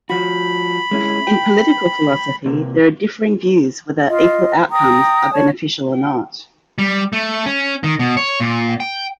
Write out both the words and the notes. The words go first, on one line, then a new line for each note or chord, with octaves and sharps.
In political philosophy, there are differing views whether equal outcomes are beneficial or not.
F3 F#4 B5
G#3 C#4 E4
G5
C3 A#3
F4 D#5
G5 A#5 D#6
C#5 A5
G3
A3
C#4
D#3
B2
C#5
A#2
G5